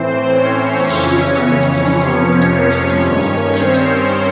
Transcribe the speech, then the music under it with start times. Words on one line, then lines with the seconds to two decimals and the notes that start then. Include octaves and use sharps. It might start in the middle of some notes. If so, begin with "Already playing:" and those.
This chief owns three thousand horse and foot soldiers.
Already playing: A2 E3 C4 C5
0.32 C#4 C#5
0.86 F2 C#3 E3 C#4 C#5
1.95 F2 C3 F3
2.49 C#4 C#5
3.02 G2 D#3 C#4 C#5
3.57 C4 C5